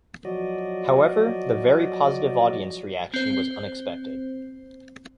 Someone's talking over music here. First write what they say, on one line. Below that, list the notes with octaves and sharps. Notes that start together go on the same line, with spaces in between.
However, the very positive audience reaction was unexpected.
F3 F#3 F#4 D5 D#5
C4 C5